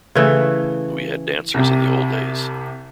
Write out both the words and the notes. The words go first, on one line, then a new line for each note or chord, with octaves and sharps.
We had dancers in the old days.
C#3 E3 A3
C2 C3